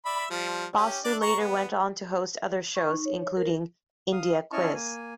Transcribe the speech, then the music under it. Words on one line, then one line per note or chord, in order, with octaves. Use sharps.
Basu later went on to host other shows, including "India Quiz".
D5 E5 B5
F3 G3
C#4 G4
D4 D5
A#5 C#6
B3
C#6
D#4
C#5
A#4
F5 D#6
C#4 E4 D#5 A5 C#6 F6
A#3 G#5